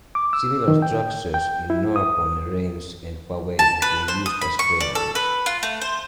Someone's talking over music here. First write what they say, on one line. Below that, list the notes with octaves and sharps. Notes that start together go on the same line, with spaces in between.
Similar structures in Narbonne, Reims, and Bavay were used as granaries.
D6
E6
D#3
G5
G5
E4
D#6
A5
B4
C5
D#6
B5
C#6
D5
A4
B4
F4
A3
C5